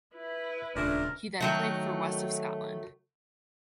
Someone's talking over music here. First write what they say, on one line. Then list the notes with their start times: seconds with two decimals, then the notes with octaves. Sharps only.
He then played for West of Scotland.
0.15 E4 B4
0.76 D#1 C#2 A#2 A3 D4 A#4
1.40 D#3 F#3 A3